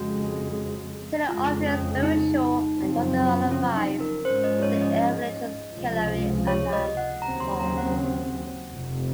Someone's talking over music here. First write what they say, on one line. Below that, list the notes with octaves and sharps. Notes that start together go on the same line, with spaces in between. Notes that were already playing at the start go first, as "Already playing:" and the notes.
Taylor obtained spiritual and other advice from the evangelist Kilari Anand Paul.
Already playing: F2 C#3 G#3 F#4
F2 C#3 G#3 F4
C#4
D#4
F#2 C#3 F3 C4
C#4
D#4
A#4
G#2 F3 G#3 C#4 C5
D#5
C#5
D#5
C#2 C3 F3 G#3
C#5
D#5
F#5
D#2 C#3 F#3 C4 A#5
C6
A#5
F#5
F1 F2 C3